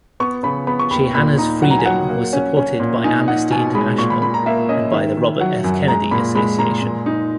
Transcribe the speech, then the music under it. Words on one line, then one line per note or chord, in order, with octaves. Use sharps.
Chihana's freedom was supported by Amnesty International and by the Robert F. Kennedy Association.
B3 C#6
C#3 B5
B3 B5
C#6
D#2 B5
A#2 B5
D#4 A#5
F#3 F#5
A#5
G#5
F#3 F#5
A#3
C#4
C#4
A#2
D#4 G#5
D#4 F#5
B2 G#5
G#3 B5
A#2 C#6
B5
A#2 B5
A#5
A#3 E5
C#4 D#5
D#3 E5
D#3
F#3 F#5
F#2 G#5
G#3 A#5
A#2 B5
G#3 B5
A#2 A#5
A#2
D#4